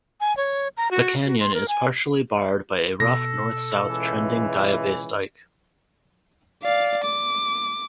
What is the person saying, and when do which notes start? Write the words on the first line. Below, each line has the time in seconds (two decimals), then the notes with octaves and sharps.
The Canyon is partially barred by a roughly north-south trending diabase dike.
0.21 G#5
0.37 C#5
0.77 A#5
0.91 F#4
1.25 F#4
1.40 C6
1.54 A#4
1.68 G#5
3.00 B2 A4 A#6
3.85 C#2 E3
6.63 D5 F5
7.04 D6